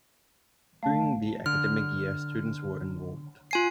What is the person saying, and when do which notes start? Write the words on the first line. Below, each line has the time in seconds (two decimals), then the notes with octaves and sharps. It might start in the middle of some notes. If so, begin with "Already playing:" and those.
During the academic year, students were enrolled.
0.83 A3 F5 A5
1.46 D3 F6
3.51 F4 G#5 C7